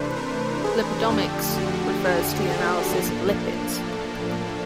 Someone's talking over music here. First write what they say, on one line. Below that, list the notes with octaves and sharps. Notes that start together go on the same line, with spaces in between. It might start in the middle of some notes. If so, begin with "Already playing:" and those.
Lipidomics refers to the analysis of lipids.
Already playing: C3 E3 A3 D4 B4 C5
A#4
G#4
F2 D3 F3 A3 D4 G4
F#4
G#4
A4
A2 F3 A#3 D4 A4